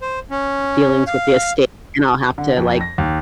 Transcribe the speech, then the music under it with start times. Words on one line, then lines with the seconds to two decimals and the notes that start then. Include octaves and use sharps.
dealings with the estate, and I'll have to, like,
0.01 C5
0.31 C#4
1.07 F5
2.38 D3
2.57 F2
2.81 A#6
2.98 D#2